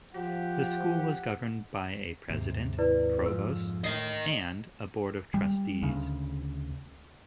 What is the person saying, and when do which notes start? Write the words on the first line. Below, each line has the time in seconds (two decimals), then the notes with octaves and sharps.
The school was governed by a president, provost and a Board of Trustees.
0.14 F3 G4 F#5
2.30 D#2 G#2 C3
2.79 E4 B4 D5
3.26 F2 G#2 F3 E6
3.84 A2 A#4 D#5 C7
5.34 G3
5.82 D2 C#3